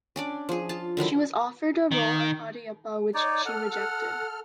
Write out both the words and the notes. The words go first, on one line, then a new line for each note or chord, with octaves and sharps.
She was offered a role in "Padayappa" which she rejected.
C#4 D4 D5
F3 G#4
F4 A5
D3 D#3 F#3 E4
D#3
D#4 C#5 D5
A4 F#5 F6
F#5